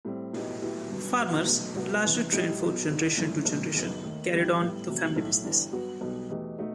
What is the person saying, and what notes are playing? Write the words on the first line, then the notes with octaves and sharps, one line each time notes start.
Farmers, largely trained from generation to generation, carried on the family business.
A2 G3 C4
A2 F#3 B3 D#4 G4
A2 F#3 B3 E4 G4
G1 G2 F#3 B3
B2 F#3 B3
B1 B2 A3
C2 C3 F#3 B3 F#4
E2 C3 E3 G3 B3
A2 G3 D#4 G4
B1 B2 F#3 B3
E1 D#2 D#3
G1 F#2 E3 A3
B1 B2 A3
F#1 F#2 D#3 F#3 B3
D#2 D#3 A3
D#2 D#3 G3 C4
A2 G3 B3
E2 C3 F#3 A3
B1 A2 F#3
G1 G2 E3 G3
G2 F#3 B3 F#4
B1 B2 G3
E2 B2 A3 D#4 G4
B2 A3 D#4 F#4